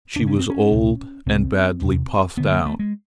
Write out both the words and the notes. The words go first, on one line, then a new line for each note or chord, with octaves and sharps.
She was old and badly puffed out.
F2 C#3 D4
C#4
C4
C#4
C#2 B2
C2 B2 C4
E2 C3
D2 D3 B3
A#3
A3
G#3